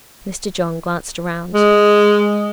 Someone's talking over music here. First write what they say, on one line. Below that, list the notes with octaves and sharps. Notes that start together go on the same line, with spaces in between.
Mr. John glanced round.
G#3